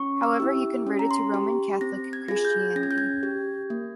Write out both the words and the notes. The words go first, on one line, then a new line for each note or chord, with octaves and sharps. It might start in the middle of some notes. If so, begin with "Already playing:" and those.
However, he converted to Roman Catholic Christianity.
Already playing: C#4 C#6
E6
E4 G4
C#4
A#5
C6
G4
C4 A#6
G#6
F4 G#4 A#6
G#6
G6
C#4 A#6
G#6
G6
G#6
G4
A#3